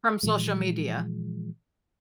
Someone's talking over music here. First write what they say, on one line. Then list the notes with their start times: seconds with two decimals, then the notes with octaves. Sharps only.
From social media.
0.23 A#2 E3 F3 G#3